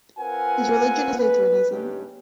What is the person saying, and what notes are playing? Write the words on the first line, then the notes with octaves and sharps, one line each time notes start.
His religion is Lutheranism.
C4 F4 A#4 B4 F#5 G#5
B4
G2 C#3 C#4 D#4 G4